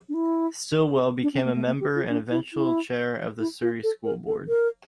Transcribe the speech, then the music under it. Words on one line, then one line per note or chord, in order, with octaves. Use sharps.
Stilwell became a member and eventual chair of the Surrey School Board.
D4
E4
D4
C#4
A#3
A3
A#3
G4
F4
D4
E4
E4
E4
F4
A4
A#4
A4
A#4